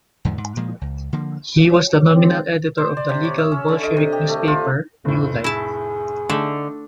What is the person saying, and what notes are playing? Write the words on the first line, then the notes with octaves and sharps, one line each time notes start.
He was the nominal editor of the legal Bolshevik newspaper "New Life".
E2 G#2 D3 F3
G#2
A#2 F3 G#3
C#2
D3 F3 A#3
C#5
D#3 G#3 C4
C5
D5
C3
C#5
E5
C#4
D3
D#5
C3
G4
A3
F4
F1 F2 A2
E4 G#4 A5
D3 A3 D#4 A4